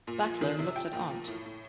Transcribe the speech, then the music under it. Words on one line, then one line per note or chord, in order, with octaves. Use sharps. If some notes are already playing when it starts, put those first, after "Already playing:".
Butler looked at aunt.
A#2
F3
D#3
C3
F3 G5
A#2
F3
A2
A2